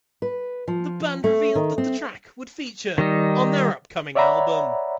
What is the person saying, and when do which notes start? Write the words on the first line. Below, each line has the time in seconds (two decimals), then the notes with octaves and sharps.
The band revealed that the track would feature on their upcoming album.
0.22 B4
0.68 F3
1.24 A3
1.55 D#3
1.78 C4
2.98 D#3 G3 D#4
4.15 C#5 D5 E5 F#5 A#5 B5